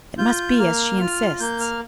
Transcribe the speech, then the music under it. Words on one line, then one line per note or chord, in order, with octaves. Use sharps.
It must be as she insists.
F4 G6
A#3 F6
F4
A#3 G6
F6